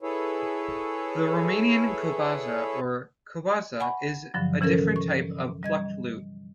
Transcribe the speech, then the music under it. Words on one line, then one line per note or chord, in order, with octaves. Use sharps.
The Romanian kobza or cobza is a different type of plucked lute.
E4 G#4 A4 B4 C#5
F#5 G#5 B5 C#6
G2 D3 F3 F#3
C3 E3 C#4 A4 A#4
C#6
G3 D#5 G#6